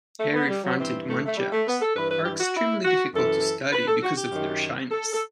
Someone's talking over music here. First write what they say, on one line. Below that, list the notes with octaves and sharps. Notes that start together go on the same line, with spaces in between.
Hairy-fronted muntjacs are extremely difficult to study because of their shyness.
A3
B3
G3
F#3
G2 E3 C4
A3
A3
G3
A3
B3
A4
G2 E3 B4
B4
G4
F#4
E4
F#4
F#2 E3 A4
B4
A4
F#4
G4
F#2 D#3
A4
A4